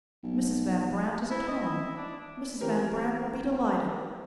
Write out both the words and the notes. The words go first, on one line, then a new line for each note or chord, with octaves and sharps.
Mrs. Van Brandt is at home. Mrs. Van Brandt will be delighted.
B1
E4
D#5
E4
D4
E3 C4 G4 A#4 C5